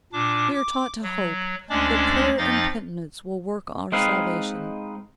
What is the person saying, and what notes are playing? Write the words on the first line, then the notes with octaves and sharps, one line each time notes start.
'We are taught to hope, that prayer and penitence will work our salvation.
A#2 D4 D6
D6
F#3
D2 G#3 C#4 D4 D5 D6
F2 F3 D#4 D#5 F5 A6
G#3 C4 D#4 B4 F5